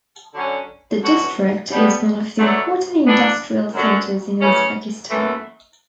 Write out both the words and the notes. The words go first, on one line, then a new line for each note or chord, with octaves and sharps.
The district is one of the important industrial centers in Uzbekistan.
D3 F#3 C#4
D3 F#3 C#4 F#4
B2 G3 B3
D3 F#3 A3
E3 B3 D4
F#2 D3 F#3
C#3 E3 A3 C#4
F#2 E3 A3